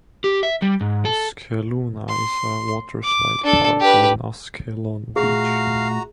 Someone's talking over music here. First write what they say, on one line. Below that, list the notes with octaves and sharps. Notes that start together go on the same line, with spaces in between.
Ashkeluna is a water-slide park on Ashkelon beach.
G4
E5
G3
G#2
A4
C6
D6
D4 A4
G4 B4
A#2 A3 F#4 G#4 F5 A#5